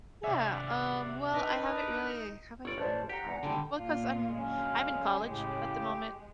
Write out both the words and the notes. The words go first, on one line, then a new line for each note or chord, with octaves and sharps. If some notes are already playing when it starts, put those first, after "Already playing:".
Yeah, um, well, I haven't really have I done a project? Well, 'cause I'm I'm in college at the moment
C3 C#5 D5 E5 F#5 C6
D4 D#4 A#4 B4 D#5
G1 C#5 D5
A1 C5 D5 A5
G4 F#5 A#5
E2
D3 G3 G5
A#2 D4 F4
D3 F#3 G#3 C#4 F5
A2 C#3 G4